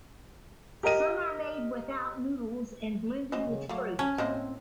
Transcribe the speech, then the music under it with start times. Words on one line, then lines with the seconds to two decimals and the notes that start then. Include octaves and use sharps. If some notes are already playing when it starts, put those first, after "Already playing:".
Some are made without noodles and blended with fruit.
0.83 G4 A#4 D#5 D#7
3.32 F#3 C#4 C5 D#5
3.48 C#3
3.69 F#3 A3 A#3
3.99 C#4 A5
4.18 A2 A#3 C4 C5 D#5